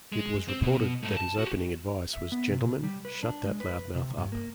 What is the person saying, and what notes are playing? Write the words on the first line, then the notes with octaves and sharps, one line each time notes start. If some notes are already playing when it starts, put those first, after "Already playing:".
It was reported that his opening advice was Gentlemen, shut that loudmouth up!
G#3
C4
B2
G#2 A3
A5
F#4 G4
E5
B3
C3
C3
G3
B4
D4
G#3
B4
C3
G2
A#3